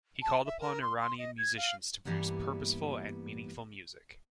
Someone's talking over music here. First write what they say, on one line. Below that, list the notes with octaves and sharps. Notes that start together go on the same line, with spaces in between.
He called upon Iranian musicians to produce purposeful and meaningful music.
A5
E5
A#4
C6
C6
D#5
G#6
F5
G2 D3 E3 G3 A#3 B3